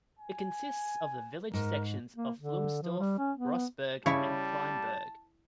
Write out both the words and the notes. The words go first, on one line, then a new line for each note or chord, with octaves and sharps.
It consists of the village sections of Flums-Dorf, Grossberg and Kleinberg.
G#5
G#2 A#4
A#3
D3
F3
G3
C#4
B3
C#3 G3 E4 C#5 A5